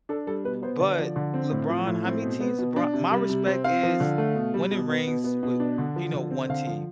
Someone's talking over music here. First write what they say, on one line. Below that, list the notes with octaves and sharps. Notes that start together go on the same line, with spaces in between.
But LeBron, how many teams LeBron my respect is winning rings with you know, one team.
D4 A4
G3 A4
B2 B4
B3 C5
D3 D5
F3
D3
C4
A2
F3
A2
C4
B2
B3
B2
D4
C3
G3
C3
C4
C4 F5
F3
D3
A3
B2
G3
B2
B3
B2
B3
B2
D4
D3
F3
D3
C4
D3 F5
F3